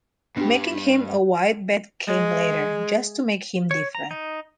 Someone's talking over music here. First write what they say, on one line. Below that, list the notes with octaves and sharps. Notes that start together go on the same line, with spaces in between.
Making him a white bat came later - just to make him different.
G2 B3 D4 G4
G#3
C#5
A#5
D#4